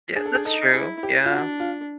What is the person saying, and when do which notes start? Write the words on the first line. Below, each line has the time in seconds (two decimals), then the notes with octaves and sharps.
Yeah, that's true, yeah.
0.16 D4 G#4
0.26 A4
0.35 G#4
0.45 D#4 A4
0.74 E4 G#4
1.03 G4
1.25 F4
1.31 D4 F#4
1.60 F4